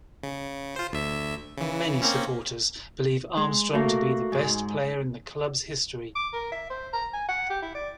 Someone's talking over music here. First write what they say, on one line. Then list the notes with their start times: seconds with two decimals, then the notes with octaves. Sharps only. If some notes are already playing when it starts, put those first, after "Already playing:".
Many supporters believe Armstrong to be the best player in the club's history.
0.23 C#3
0.76 F4 C5
0.93 D2 E5
1.58 C#3 E3
2.02 A#3 C4 C#4
3.37 G#3
3.73 A3 A#3 F#4
4.32 G#2 G#3
6.15 D6
6.33 A#4
6.52 E5
6.70 C5
6.93 A#5
7.14 G#5
7.28 F#5
7.50 G4
7.62 E4
7.75 D5